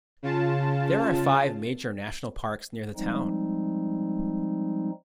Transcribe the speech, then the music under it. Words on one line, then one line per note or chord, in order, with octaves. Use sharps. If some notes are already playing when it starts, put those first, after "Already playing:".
There are five major national parks near the town.
C#3 F4 A5
F3 G3 G#3 C4 D#4